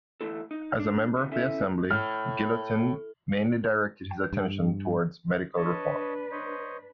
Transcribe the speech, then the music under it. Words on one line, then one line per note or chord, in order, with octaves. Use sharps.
As a member of the assembly, Guillotin mainly directed his attention towards medical reform.
D2 G#2 E3 A3 E4 A4
D#4
D4
B2 D#3 E3
C#4 E4 A4 E5
A2 F6
G2
D4 B4 C#5 D#5 A5
C5 C#5 D#5